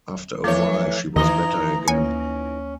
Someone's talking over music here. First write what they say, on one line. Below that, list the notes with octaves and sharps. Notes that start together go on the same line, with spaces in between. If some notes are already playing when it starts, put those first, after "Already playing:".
After a while she was better again.
E3 F3 A3 C#5 G6
D#2 E3 D#4 D#5 A#5
D2 A#3 C#4 C#5 G#5